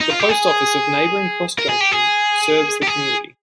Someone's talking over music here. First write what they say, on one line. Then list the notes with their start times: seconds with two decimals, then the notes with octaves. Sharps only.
The post office of neighboring Cross Junction serves the community.
0.01 D#4
0.10 F4
0.20 G4
0.29 G#4
1.59 A#4
1.69 G#4
1.81 G4
1.92 G#4
2.83 G4
2.87 G#4